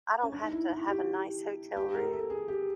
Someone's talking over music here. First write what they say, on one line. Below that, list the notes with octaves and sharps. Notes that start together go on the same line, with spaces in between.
I don't have to have a nice hotel room,
C#4
D4
D#4
E4
E4
G4
G4
A#4
A4
G#4
G4